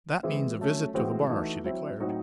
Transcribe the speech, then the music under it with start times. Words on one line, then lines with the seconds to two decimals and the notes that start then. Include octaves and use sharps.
"That means a visit to the bar!" she declared.
0.23 E3 G#3 C4 E4
0.59 F#3 A3 C#4
0.94 A2 E3 G#3 C4 F#4
1.29 E3 A3 D#4 F#4
1.64 F#3 C4 E4
2.00 A2 F#3 C4 D#4 F#4